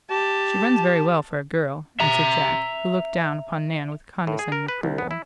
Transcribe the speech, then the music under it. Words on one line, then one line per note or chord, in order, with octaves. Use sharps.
"She runs very well for a girl," answered Jack, who looked down upon Nan with condescending approval.
G4 A5
E5 A#5
A2
G#4
A#4
B4
C2
B3
E4